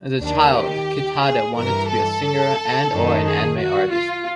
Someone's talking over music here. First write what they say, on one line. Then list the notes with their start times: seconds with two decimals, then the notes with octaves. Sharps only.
As a child, Kitade wanted to be a singer and or an anime artist.
0.21 D#2 D#3 D4
0.54 G4
1.22 G#4
1.55 G2 E3 A#4
1.90 A4
2.90 F#2 D#3
3.24 G#4
3.58 F#4
3.92 F4